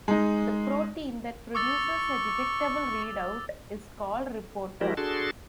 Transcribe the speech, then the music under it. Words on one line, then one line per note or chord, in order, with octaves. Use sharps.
The protein that produces a detectable readout is called "reporter".
G#3 D#4
C#6 D6 E6 A6
F3 G#3 E4 F#4 G4 A#4
D4 F#4 G#4 A4 A5 C6